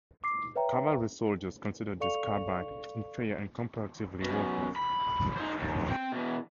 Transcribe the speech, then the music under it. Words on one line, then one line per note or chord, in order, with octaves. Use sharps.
Cavalry soldiers considered this carbine inferior and "comparatively worthless".
D6 C7
B4 C#5 E5 G5 A#5
A4 D5 F5 C#6 C#7 F7
F#2 B2
B5
D#4 C5
D#2
C4 G5
B2 E3